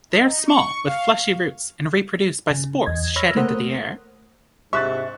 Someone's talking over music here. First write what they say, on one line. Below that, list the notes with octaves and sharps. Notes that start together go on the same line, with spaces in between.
They are small, with fleshy roots, and reproduce by spores shed into the air.
D#4
C#6
F5
C#3
E2 D#5 G#6
C#5 B5 E6 F6 G#6 A#6
A3 A#3 A#4 C5 F#5 D#6
G#2 C3 E5 C#6 F#6 A6